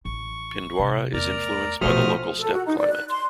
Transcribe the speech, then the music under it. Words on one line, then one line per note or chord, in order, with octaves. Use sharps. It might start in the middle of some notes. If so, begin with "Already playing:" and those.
Pindwara is influenced by the local steppe climate.
A1 C#6
C3
E2 A3 A#4 D5 A#5
A#1 B2 F3 A3 F#4 C5 D#6 F6
A4
F#4
D#4
D5
F#6
C6